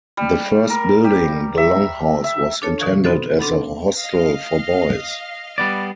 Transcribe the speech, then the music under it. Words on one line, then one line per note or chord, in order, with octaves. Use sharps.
The first building, the longhouse, was intended as a hostel for boys.
G3
A#4
G4
E5
E5
D4 F4 A4 C#5 A5
B2 D3 E3 F5 C#6
B3 C4 D#4 F#4 A4 C5
C4 D4 A4 F#5 B5
D#5 F5
G3 B3 D5